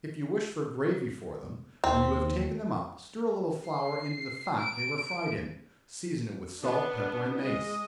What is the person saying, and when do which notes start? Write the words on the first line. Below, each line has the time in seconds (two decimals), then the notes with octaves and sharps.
If you wish for gravy for them, when you have taken them up, stir a little flour into the fat they were fried in; season it with salt, pepper, and mace.
1.84 D#2 C4
3.68 C7
4.60 D7
6.61 B3 D4
7.37 G#3 D#5